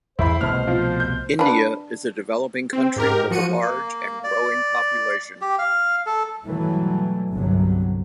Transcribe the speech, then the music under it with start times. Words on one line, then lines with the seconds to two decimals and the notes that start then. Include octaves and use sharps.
India is a developing country with a large and growing population.
0.19 E2 E4 C5 B5
0.41 C2 B2 A3 F6
0.67 F3
1.00 G6
1.39 D4 B4
2.73 C4
2.96 G#2 G4 A#4
3.31 F3 F#4 C#7 D#7
3.62 A#3
4.24 D5
5.42 G4
5.59 F5
6.06 A4
6.46 G2 B2 E3 F#3 G3 A3
7.33 G1 C2 C3 F#3